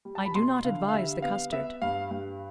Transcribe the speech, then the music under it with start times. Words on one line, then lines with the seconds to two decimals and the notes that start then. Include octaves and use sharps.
I do not advise the custard.
0.05 G3
0.15 A5
0.25 B5
0.35 B2 C6
0.65 D3 F5
0.89 F5
0.93 G3 E5
1.22 B3 F5
1.52 B3 E5
1.82 G2 F5
2.11 G2